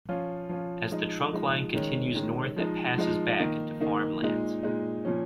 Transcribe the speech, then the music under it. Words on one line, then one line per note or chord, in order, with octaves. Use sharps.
As the trunkline continues north, it passes back into farm lands.
F3 C#4 F4
F3 C#4 F4
F3 G#3 D#4
F3 G#3 D#4
D#3 G#3 C#4
D#3 G#3 C#4
F3 G#3 D#4
F3 G#3 D#4
D#3 A#3 D#4
D#3 A#3 D#4
A#2 G#3 D#4
A#2 G#3 D#4
A#2 F3 C#4